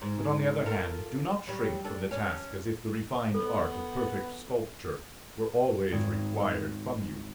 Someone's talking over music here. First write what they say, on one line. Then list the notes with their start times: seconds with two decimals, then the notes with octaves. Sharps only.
But, on the other hand, do not shrink from the task as if the refined art of perfect sculpture were always required from you.
0.02 G#2
0.66 F4 A4 A#4
1.47 F#3 G3
1.84 D4 A4
2.11 C#4 D4
3.34 B3 A4
5.92 G#1 G#6